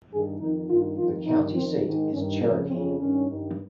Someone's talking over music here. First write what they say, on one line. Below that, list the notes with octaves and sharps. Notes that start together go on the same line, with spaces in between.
The county seat is Cherokee.
G2 D#3 G#4
F2 D#3 D#4
G2 D#3 F4
F2 D#3 F4
G2 D#3 D#4
F2 D#3 C4
G#2 D#3
G2 C#4
D#3
F2 C#3 A#3
F2 C4
C#3
G2 D#3 C#4
G2 D#3